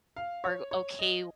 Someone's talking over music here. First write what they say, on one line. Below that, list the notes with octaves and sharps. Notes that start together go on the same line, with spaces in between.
are okay with
F5
C#5
C#5
D#5